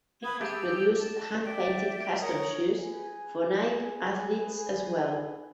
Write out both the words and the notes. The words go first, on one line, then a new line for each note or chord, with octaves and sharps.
He has produced hand painted custom shoes for Nike athletes as well.
B5 D#6 F#6 G#6
G4 G#4 A5 E6
A5
D5 E5 G5
A#4 C#5 D#6
G#4 B4 G#5